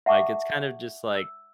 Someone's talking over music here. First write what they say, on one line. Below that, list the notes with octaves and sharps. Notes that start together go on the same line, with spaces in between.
Like, it's kind of just, like
E5 F#5 A5 C#6 D6
E6